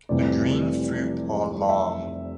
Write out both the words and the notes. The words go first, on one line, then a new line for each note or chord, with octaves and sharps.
The green fruit are long.
F1 F2 C3 E3 G3 D5
E5